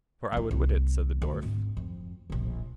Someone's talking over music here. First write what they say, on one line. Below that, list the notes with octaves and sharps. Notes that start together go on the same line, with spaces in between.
For I would wit it, said the dwarf.
E2 D#4
C2
D2
G#1
F2
D1 A#1